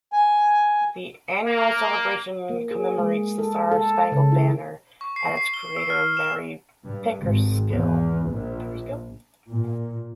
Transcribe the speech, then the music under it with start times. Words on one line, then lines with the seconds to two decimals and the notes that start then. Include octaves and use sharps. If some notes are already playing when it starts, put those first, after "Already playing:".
The annual celebration commemorates the Star-Spangled Banner and its creator Mary Pickersgill.
0.13 G#5
1.46 A#3
2.50 A#3
2.71 G#4
2.99 G#3
3.38 A4
3.71 A4
4.12 C#3
4.32 E4
5.01 C#6
5.16 C7
5.37 C7
5.54 G7
5.76 E6
5.90 F6
6.17 E7
6.84 G2
7.21 G#1
7.70 E2
8.28 A#1
9.48 A#2